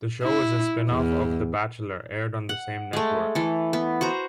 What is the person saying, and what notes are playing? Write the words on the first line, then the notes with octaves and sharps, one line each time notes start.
The show is a spin-off of "The Bachelor" aired on the same network.
E4
E2
F#5
G#3 A3
E3 A4
B3
F#4 C5 A#5